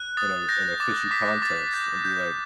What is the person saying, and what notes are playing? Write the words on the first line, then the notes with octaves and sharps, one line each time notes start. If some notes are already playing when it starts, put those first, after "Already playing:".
in a in a fishy context and be, like,
Already playing: F#6
D#6 A6
G6 A#6
D6 A6
D6 B6
D6 A6
G6 A6
G6